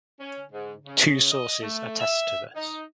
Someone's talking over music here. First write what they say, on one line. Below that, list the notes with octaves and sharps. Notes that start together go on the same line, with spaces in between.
Two sources attest to this.
C#4
G#2
C#3
D#5
A3
E5
D#4